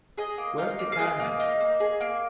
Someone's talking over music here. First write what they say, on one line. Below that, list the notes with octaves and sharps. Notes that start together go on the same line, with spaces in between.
Where's the Caramel?
G#4 D#5
A#3
D#4 F5
A#3
F5
G#4 D#5
A#3
D#4
A#3
G#4
A#3